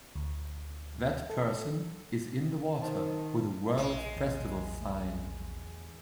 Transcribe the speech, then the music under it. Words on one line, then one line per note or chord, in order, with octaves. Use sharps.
That person is in the water with a World festival sign.
D2
A4
D#3 C5 A5
A#1 G#3
E2 A2 D3